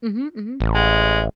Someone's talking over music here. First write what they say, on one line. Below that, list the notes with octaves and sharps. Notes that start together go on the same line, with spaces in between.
Mhm, mhm.
A1
G#3